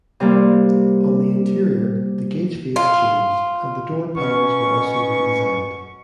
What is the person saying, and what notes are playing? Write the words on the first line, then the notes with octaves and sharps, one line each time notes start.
On the interior, the gauge face changed, and the door panels were also redesigned.
C3 G3 A#3
F4
B2 C#4 C#6